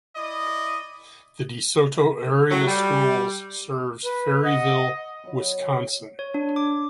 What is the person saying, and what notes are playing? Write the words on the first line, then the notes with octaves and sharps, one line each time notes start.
The De Soto Area Schools serves Ferryville, Wisconsin.
E4 D5 D#5
A2 F#3
G3
B4
D#5 F#5
F#3 D#5 B5
C#5
D4
D6